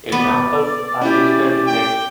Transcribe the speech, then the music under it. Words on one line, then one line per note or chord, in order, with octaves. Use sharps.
Examples are listed next.
B3 D5
C#4 E4 G4
G5